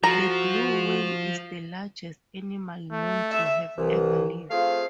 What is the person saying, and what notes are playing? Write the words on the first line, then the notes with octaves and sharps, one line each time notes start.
The blue whale is the largest animal known to have ever lived.
F3 F#4 A4 A#5
A3
E5
C2 E3
A3 C4 F4 G#4 C5 F5